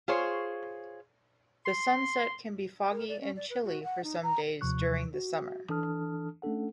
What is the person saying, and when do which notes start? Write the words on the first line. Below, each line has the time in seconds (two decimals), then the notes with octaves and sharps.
The Sunset can be foggy and chilly for some days during summer.
0.08 F4 G#4 C5 C#5
1.66 C6
2.91 A#4
3.09 D5
3.21 C#4
3.36 D5
3.50 B4
3.65 F#4
3.83 F#5
4.04 D#4
4.23 A#5
4.61 D#2 C3 F3 C#6 F#6
5.14 F#4
5.69 E3 D4 A4 A5 D#6 F6
6.42 A3 C#4 D4 A4 F#5